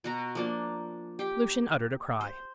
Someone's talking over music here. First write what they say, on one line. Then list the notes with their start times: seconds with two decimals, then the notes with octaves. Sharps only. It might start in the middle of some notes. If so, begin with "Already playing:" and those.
Lucian uttered a cry.
0.04 B2 F#4 A#5
0.35 F3 A#3 D4
1.19 G4 G5
2.21 C5